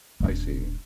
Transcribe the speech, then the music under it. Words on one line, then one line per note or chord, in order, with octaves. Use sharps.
I see.
D#1 D4